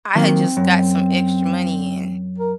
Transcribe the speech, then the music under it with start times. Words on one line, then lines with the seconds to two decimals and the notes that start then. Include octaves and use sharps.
I had just got some extra money in,
0.15 D#3 F#3 A#3 C4
0.57 F#2
2.38 A#4